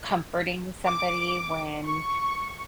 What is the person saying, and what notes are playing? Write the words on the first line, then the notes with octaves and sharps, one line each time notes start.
comforting somebody when
D6
C#6